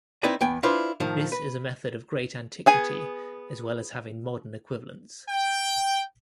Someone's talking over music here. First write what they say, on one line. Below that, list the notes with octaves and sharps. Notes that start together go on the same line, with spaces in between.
This is a method of great antiquity, as well as having modern equivalents.
C4 D#4 E4 B4 D5 D#5
E2 B3 G5 G#5
D4 E4 F4 B4 C5
A2 D#3 F3
B4
B3 G#4 G#5
G5